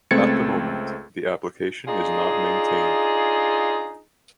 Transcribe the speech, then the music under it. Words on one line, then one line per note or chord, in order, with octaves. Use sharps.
At the moment the application is not maintained.
C#2 A3 C4 G#6 A6 C#7
D4 D#4 F4 G#4